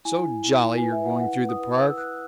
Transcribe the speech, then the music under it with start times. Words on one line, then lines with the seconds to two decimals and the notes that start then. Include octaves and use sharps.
"So jolly you're going through the Park."
0.05 E4 G#5
0.24 E4
0.44 E4
0.63 E4
0.78 B4 G#5
0.92 E5
1.01 B4 F#5
1.20 E4 F#5
1.40 B4
1.49 D#6
1.59 B4
1.78 B4 E6
1.97 B4 F#6